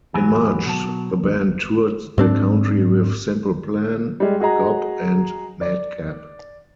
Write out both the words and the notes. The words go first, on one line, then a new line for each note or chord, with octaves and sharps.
In March the band toured the country with Simple Plan, Gob and Madcap.
E2 G#2 E3 F#3 G4 G#5
B2 F#3 A5
G#2 C4 D4
G3 G#3
F#4 G#4 D#5 A#5
D5